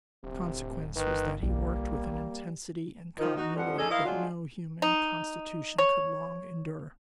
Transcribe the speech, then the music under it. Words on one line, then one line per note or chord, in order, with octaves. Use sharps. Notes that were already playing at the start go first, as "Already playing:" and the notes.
The consequence was that he worked with an intensity and continuity that no human constitution could long endure.
D1 C3
G1 D#3 B4
B1 G3 A#3
D#3 F3
D#4 F#4
F2 G#2 D3 F3 G3 F#5
C#4 D#4 G#4 A4 D5 D#5
E4 A#4 C5 D#5 F5
F#3 G#3 D4 F4
D#4
C#5